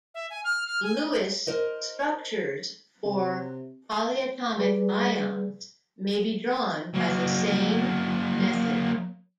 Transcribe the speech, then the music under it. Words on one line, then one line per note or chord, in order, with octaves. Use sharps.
Lewis structures for polyatomic ions may be drawn by the same method.
E5
G#5
F6
F6
G#5
A#4 C5 D#5
C3
G3 G#4 B4 D5
F#3 A#3